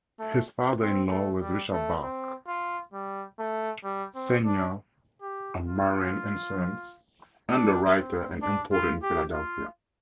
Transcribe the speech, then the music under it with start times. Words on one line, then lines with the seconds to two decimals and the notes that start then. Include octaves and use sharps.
His father-in-law was Richard Bache, Senior a marine insurance underwriter and importer in Philadelphia.
0.19 A3
0.80 C4
1.10 A3
1.41 G3
1.72 A3
2.02 C4
2.48 F4
2.93 G3
3.39 A3
3.84 G3
4.15 C4
4.46 D4
5.22 G4
5.68 F4
7.50 D4
7.96 C4
8.42 D4
8.72 F4
9.03 G4
9.33 F4